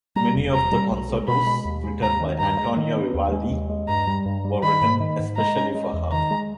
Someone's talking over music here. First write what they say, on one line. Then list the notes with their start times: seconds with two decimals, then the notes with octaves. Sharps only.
Many of the concertos written by Antonio Vivaldi were written especially for her.
0.16 G3 A#5
0.35 E1
0.54 E1 A#5
0.72 G3
0.91 B1
1.10 G#3
1.28 B2 B5
1.46 G#3
1.65 D#2
1.84 G#3
2.02 D#2 A#5
2.21 D#3
2.40 G2 A#5
2.59 G#3
2.77 D#3
2.95 B3
3.14 D#2
3.32 G#3
3.51 D#2
3.69 G#3
3.88 G2 A#5
4.07 G3
4.26 G2
4.44 G3
4.63 D#3 B5
4.81 G#2
5.00 D#3
5.19 G#2
5.37 G#3 A#5
5.56 C#4
5.74 G#3
5.93 E2
6.12 D#3 A#5
6.31 G#3